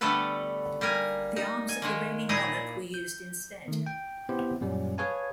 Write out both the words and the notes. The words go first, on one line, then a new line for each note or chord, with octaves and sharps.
The arms of the reigning monarch were used instead.
D3 G3 A3 B3 A4 B4
G3 A#3 A#4 G#5
D#4
G#5
D#3 G#3 A#3
A#2 D#4 E4 G#4 D#5
G6
D#3 A3
G5
B3 C4 E4 G4 C5
F#2 A#2 G3 C#4
G#4 B4 C#5 F5 G#5 A5